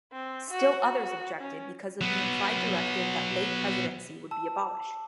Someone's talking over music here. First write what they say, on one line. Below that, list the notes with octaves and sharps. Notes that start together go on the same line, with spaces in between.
Still others objected because of the implied directive that lay presidency would be abolished.
C4
F#4
F#4
C#4
F#3 B3
A5 E6